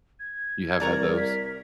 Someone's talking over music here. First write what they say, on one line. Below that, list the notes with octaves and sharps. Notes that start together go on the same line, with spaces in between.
You have had those?
G#6
C2 A#4 D5 A#5 C#6
B6